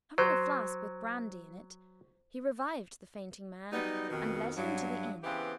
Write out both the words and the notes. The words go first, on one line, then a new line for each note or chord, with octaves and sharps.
Having a flask with brandy in it, he revived the fainting man, and led him to the inn.
F#3 C5
F#3 G3 B3 D#4
F2 B2 D#3
G2 F#3
C#3 E3 B3 C4 G4